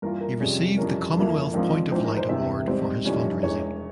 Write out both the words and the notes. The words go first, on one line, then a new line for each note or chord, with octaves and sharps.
He received the Commonwealth Point of Light award for his fundraising.
G2 E3 A#3 F4 A#4
A#4
F2 C3 G3 C#4 G#4
F2 E3 G3 C#4 A#4
G1 F2 E3 A#3 E4
A#1 G#2 F3 C4 F4 A#4
A#1 G#2 E3 C5
A#4
C5
E1 E2 C3 E5
G#2 G3 C4 C5
F1 F2 E3 G3 C#4
E1 E2 E3 G#3 C#5